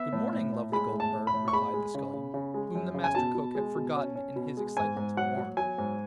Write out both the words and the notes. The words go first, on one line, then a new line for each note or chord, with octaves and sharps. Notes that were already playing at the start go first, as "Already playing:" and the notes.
'Good-morning, lovely Golden Bird,' replied the Scullion, whom the Master Cook had forgotten in his excitement to warn.
Already playing: B3 E5
A2
A2
A2
G#3 B5
A2
A5
A2
B5
A2
C#6
G#3 B5
G#3
C#3
C#3
C#3
G#3
F#2
C#3
G#5
B2 A5
B2
G#3
B2
C#4
C#4
B2
G#3
G#2 G#5
G#2
F#3 F#5
F#3
F#3 G#5
G#2